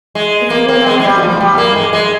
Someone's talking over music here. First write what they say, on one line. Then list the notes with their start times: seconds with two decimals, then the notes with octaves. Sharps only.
"If you were not, I could not love you."
0.15 G#3
0.50 A#3
0.69 A#3
0.86 G#3
1.00 G#3
1.04 G3
1.22 F3
1.41 G3
1.58 A#3
1.76 G#3
1.93 G#3